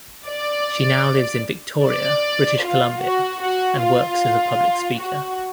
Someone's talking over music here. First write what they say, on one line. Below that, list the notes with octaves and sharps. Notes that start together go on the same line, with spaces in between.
She now lives in Victoria, British Columbia and works as a public speaker.
D5
D5
F4
F#4
F#4
F4
F#4